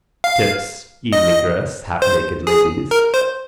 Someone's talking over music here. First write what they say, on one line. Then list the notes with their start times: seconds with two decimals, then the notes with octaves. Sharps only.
Tips, evening dress, halfnaked ladies.
0.24 F5
1.13 D#5
2.02 C5
2.47 G#4
2.91 A#4
3.14 C5